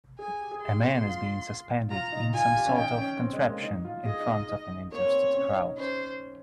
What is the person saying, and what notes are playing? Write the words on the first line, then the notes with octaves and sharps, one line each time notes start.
A man is being suspended in some sort of contraption in front of an interested crowd.
G#4 G#5
G4
G#4
G4 C6
F4
F4 A#5
D#4
F4 G#5
F4
G4
C#4
D#4 G5
C#4
C4
G#3
A#3
D#4
F4
G#4 D#5
D#4
D#4
A#3 C#5
C4
C4
C#4
D#4
C#4 C5